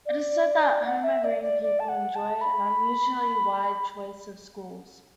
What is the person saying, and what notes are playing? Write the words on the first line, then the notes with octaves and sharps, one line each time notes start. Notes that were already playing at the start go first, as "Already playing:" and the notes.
It is said that Holmer Green people enjoy an unusually wide choice of schools.
D5
F#5
E5
D5
D5
D5
A5
F#5
A5
B5